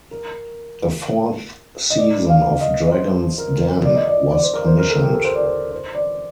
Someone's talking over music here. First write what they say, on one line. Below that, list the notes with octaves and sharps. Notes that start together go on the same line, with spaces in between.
A fourth season of "Dragons' Den" was commissioned.
A#4
D#5
D5
F5
D#5
C5
A#4
D5
D#5
D5
D5
C5
A#4
C5
A#4
A4
G4
A4
C5
D5
C5
C5
D5